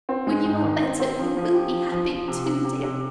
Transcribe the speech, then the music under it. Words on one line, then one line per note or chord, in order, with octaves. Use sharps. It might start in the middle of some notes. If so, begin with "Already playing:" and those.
When you are better, you will be happy, too, dear.
C4
G#3
G#2
D#3
C4
C4
F3
F3
G4
F3
F3
F3
C3
C3
C3
C3